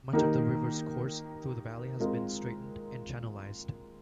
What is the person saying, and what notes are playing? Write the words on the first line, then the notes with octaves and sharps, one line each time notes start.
Much of the river's course through the valley has been straightened and channelized.
D#3 A#3 D#4 G4 A#4
G#3 C4 F4 A#4